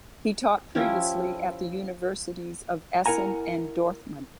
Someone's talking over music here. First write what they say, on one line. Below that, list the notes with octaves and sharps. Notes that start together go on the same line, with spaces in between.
He taught previously at the Universities of Essen and Dortmund.
F3 C#4 E4 G4
E4 A#4 F#5 G#5 A#5